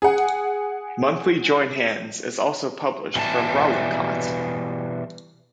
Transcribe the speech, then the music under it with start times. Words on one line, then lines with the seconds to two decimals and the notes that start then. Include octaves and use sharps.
Monthly Join Hands is also published from Rawalakot.
0.02 G#4 F#5
3.16 B2 E3 G3 A5